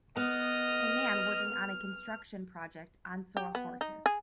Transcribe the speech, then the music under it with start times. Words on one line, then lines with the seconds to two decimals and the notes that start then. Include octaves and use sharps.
A man working on a construction project on saw horses.
0.17 B3 D#5 F6
3.37 G4
3.55 B3
3.81 D#4
4.06 G#4